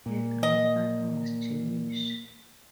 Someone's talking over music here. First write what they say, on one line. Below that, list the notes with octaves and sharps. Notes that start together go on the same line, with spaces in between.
Her grandfather was Jewish.
A#2
D#5